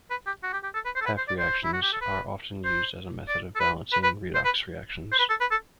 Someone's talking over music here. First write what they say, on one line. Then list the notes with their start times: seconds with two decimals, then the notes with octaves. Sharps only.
Half-reactions are often used as a method of balancing redox reactions.
0.10 B4
0.26 G4
0.43 F#4
0.53 G4
0.63 G4
0.74 A4
0.85 B4
0.95 C5
1.01 A4
1.06 B4
1.17 C5
1.28 D5
1.38 C5
1.64 E4
1.73 F#4
1.82 G4
1.93 A4
2.01 B4
2.64 C5
3.28 D5
3.55 A4
3.60 B4
3.92 B4
4.03 B4
4.34 C5
4.45 B4
5.12 C5
5.19 B4
5.29 A4
5.41 B4
5.51 A4